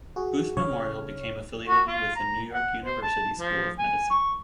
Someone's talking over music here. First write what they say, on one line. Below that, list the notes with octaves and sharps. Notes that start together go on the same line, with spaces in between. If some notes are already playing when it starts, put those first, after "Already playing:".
Booth Memorial became affiliated with the New York University School of Medicine.
F#4 G#4
C#3 C#5 F6
F#4
F4
A#5
F#5
C5
A5
F3
G#5
C#6